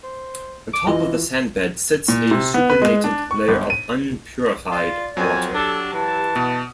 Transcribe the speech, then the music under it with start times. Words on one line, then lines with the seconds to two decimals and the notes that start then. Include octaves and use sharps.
On top of the sand bed sits a supernatant layer of unpurified water.
0.04 C5
0.74 D6
0.87 E3 F4 D#5
2.08 A#2
2.31 C3
2.54 B3
2.70 B4
2.82 G#3
3.04 D4
3.31 C#6
3.48 G1
3.70 D#7
4.71 F4 D5
5.17 F2 F#3 G#5
5.54 D4 G4 A4
5.94 E3 A5
6.36 B2 D#6